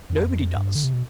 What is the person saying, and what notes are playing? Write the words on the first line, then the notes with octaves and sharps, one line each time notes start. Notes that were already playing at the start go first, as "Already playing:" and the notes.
Nobody does.
F2
G2
D3
C3
B2